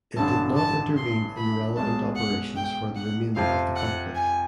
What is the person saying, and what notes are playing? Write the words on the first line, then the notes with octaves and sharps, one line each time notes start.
It did not intervene in relevant operations for the remainder of the conflict.
A1 G2 D3 A5
A5
C6
B5
B1 B2 G#3 A5
F#5
G5
F#5
F2 C3 F3 F5
F#5
G#5